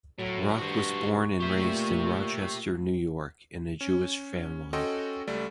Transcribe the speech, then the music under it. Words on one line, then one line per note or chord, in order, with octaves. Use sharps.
Rock was born and raised in Rochester, New York, in a Jewish family.
A2 F#3
G2 F#4 C5 C#6
A#2 A3 G4 E5
C#4
C#4 F#4 A4 D#5 G5 C6
C#2 G3 A3 D5